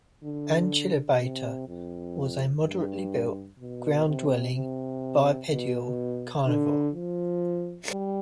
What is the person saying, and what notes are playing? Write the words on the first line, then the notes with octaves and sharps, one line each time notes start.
"Achillobator" was a moderately-built, ground-dwelling, bipedal carnivore.
D3
C3
F2
G2
B2
C3
C3
B2
D3
F3
G3